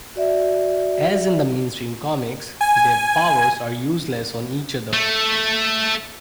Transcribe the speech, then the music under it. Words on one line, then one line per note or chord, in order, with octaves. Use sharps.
As in the mainstream comics, their powers are useless on each other.
F#4 D5 E5
G#5
A3